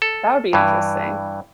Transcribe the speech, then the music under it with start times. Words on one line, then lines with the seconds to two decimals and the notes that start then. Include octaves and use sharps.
That would be interesting.
0.02 A4
0.53 G2 E3